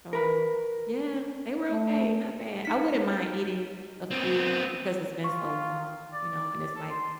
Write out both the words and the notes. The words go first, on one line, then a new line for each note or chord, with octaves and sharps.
So, yeah, they were okay, not bad. I wouldn't mind eating a few because it's been so long, you know, and it's like
A#4 B4
A3
D#4 B6
B3 C4
F4 C#6
D5
A4
C6